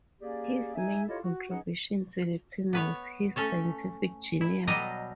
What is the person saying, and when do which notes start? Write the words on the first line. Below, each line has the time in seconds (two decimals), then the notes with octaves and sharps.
His main contribution to the team was his scientific genius.
0.21 A#3 C#4 G4 G#4 D5
0.75 D#4 E5 G#5
1.08 E4 F4 G4 A4 C#5 D#5
1.23 F#4
1.50 C#4 D#4 G#4 B4 D#5 F#5
2.73 B3 B4 C#5
3.36 A3 C#4 A4 C#5
4.41 E4
4.67 B2 F#3 G3 D#5 A#5